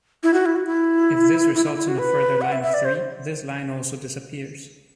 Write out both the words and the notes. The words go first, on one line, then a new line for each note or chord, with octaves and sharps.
If this results in a further line of three, this line also disappears.
E4
F#4
E4
F#4
E4
E4
E4
E4
F#4
B4
F#5
E5
E5
D5
C5